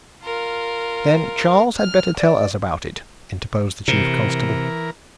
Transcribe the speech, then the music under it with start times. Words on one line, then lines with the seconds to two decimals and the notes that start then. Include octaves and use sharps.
"Then Charles had better tell us about it," interposed the chief constable.
0.24 F4 A#4
1.79 F6
2.18 D5
3.88 C3 E3 A#4